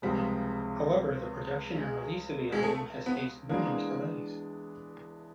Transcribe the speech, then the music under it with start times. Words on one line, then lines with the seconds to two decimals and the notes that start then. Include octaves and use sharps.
However, the production and release of the album has faced numerous delays.
0.02 C#2 C3 F3 G3 G#3
1.76 G#3
2.52 G#3
2.63 A3
3.06 B3
3.49 E3 G#3 A#3 B3 D4